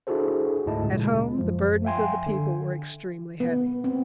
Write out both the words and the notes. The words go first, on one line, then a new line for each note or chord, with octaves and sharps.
At home the burdens of the people were extremely heavy.
D4 E4 F#4 G#4 A4 C5
D2 G#2 E4 D#5 A5
A#2 C#3 G#3
F#2 F3
E5 F5 G5 G#5 C6
D3
B3
C4